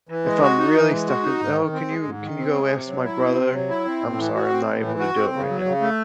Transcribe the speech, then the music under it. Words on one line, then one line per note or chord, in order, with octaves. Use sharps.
if I'm really stuck with, "Oh, can you can you go ask my brother? I'm sorry, I'm not able to do it right now."
E3
G#3
F#4
D#4
E3
G#3
F#4
D#4
G#2
D#3
C4
G#3
G#2
D#3
C4
G#3
C3
F#3
E4
C4
C3
F#3
E4
C4
A2
E3
F#4
C4
A2
E3
F#4
C4
C#3
F#3
C#3
A3